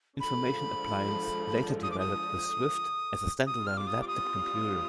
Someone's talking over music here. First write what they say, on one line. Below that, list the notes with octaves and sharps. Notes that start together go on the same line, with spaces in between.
Information Appliance later developed the Swyft as a stand-alone laptop computer.
D3 F3 G#3 B5
D#6
D6
D#6
G3 C4 F4 D#6
F6
D6
D#6
D6
D#6